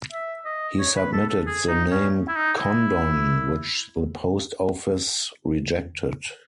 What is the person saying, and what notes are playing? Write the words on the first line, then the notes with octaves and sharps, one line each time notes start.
He submitted the name Condon, which the Post Office rejected.
E5
D#5
C#5
B4
A4
A4
G#4
D#4
C#4
E4
D#4
E4